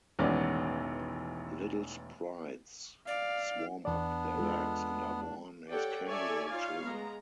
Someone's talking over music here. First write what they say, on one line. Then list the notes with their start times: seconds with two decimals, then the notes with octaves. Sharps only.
Little sprites swarm up their legs and are born as kangaroo children.
0.19 E1 A1 D#3 B3 C#4 D5
3.07 D5 F5
3.85 E2 B3 D4 D5
4.37 G#3 F4 A4
5.70 G4 A4 C#5 D5 F#5 G5
6.07 A4 C#5 D5 E5 G#5
6.50 D#4 F4 C#5 F5
6.83 G#3 B3 A#5